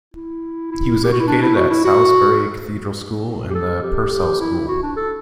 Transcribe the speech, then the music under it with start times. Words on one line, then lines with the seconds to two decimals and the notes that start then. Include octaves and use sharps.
He was educated at Salisbury Cathedral School and the Purcell School.
0.14 E4
0.71 E4
1.03 G4
1.12 F#4
1.19 E4
1.27 D4
1.42 E4
1.56 F#4
1.70 E4
1.85 F#4
3.50 G4
3.55 A4
3.83 G4
4.12 G4
4.40 E4
4.68 F#4
4.82 D4
4.97 A4